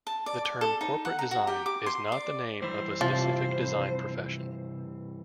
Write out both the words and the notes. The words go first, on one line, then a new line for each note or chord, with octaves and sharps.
The term 'corporate design' is not the name of a specific design profession.
A5
D5
G#5
A4
D#4
F#5
A#5
F#4
G4
D6
C6
D5
G2 E3 C5
C3 F3